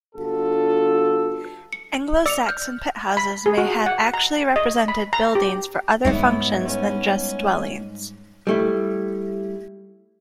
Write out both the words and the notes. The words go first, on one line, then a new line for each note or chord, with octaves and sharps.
Anglo-Saxon pit-houses may have actually represented buildings for other functions than just dwellings.
G1 D4 F4 F#4 A4
C#7
D5 E6 C#7 F7
F6 G6
B5
G#4
F#4
F#5
A#5
D#5
B5
A#5
G4
G#2 G3 B3 E4 C#5
C#4
G3 A3 E4